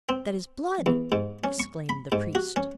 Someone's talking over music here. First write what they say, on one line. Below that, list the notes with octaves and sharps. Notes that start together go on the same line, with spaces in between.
"That is blood!" exclaimed the priest.
C4
E2
G#2
C#4
C#6
B5
G#2
F#4
C#4